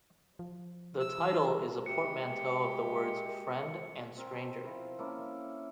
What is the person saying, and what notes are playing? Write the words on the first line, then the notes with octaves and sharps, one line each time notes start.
The title is a portmanteau of the words "friend" and "stranger".
F3
E6
E3
G#3 F#4 G4 E5 C#7
C4 A#4
F3 E4
A#3 C#4 E4 A4